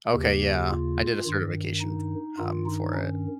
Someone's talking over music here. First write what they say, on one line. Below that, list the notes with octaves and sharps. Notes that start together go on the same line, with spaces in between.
Okay, yeah. I did a certification f um, for it.
D#2 C#3 G4
F4
G2 D#3
D#4
G2 D#3 F4
D#4
C#4